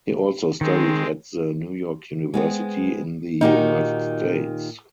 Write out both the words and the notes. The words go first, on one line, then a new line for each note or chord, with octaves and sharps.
He also studied at the New York University in the United States.
D#3 G#3 C4
G#3 B3 C4
A#2 D#3 D#4 F#4 G4